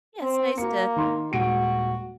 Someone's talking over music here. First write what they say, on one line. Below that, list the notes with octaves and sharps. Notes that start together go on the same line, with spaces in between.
Yeah, it's nice to
C4
A#3 F#4 C#7
D#3 D#4 C6
D#1 G#3 F#4 D7